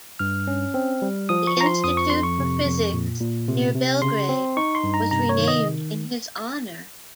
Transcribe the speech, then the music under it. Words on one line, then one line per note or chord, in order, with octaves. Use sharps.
The Institute for Physics, near Belgrade, was renamed in his honour.
G2 F6
C#4
C4
G3
F3 D#6
C#6
F3 A#5
C6
F2 D#6
C#6
F2 C6
C#6
C3
F2
A#2
A#2
C3
C3
C#3 C6
C4
D#4 C#6
C6
G2
A#5
C3 A#5
C#5
D#3
D#5